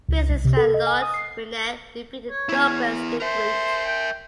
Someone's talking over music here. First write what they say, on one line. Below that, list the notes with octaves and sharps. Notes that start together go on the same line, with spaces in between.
Businessman Lloyd Winnecke defeated Douglas De Groot.
C#2
C2
C3
A4
D#5
G#5
D#6
C7
C#5
B3 E4
A#4 C5 E5
G5